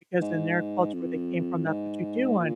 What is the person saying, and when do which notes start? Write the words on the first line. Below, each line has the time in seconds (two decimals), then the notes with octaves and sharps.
because in their culture where they came from, that's what you do on
0.21 G#2
0.94 F2
1.65 G#2
2.38 A#2